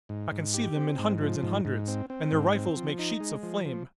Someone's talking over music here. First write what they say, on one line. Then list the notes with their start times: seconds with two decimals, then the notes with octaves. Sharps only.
I can see them in hundreds and hundreds, and their rifles make sheets of flame.
0.09 G#2
0.31 G#2
0.54 G4
0.76 C4
0.98 G#2
1.21 F3
1.43 G#2
1.65 G#2
1.88 C4
2.10 C4
2.32 G#2
2.54 C4
2.76 F3
2.99 D#4
3.20 G#3
3.43 F3
3.65 F3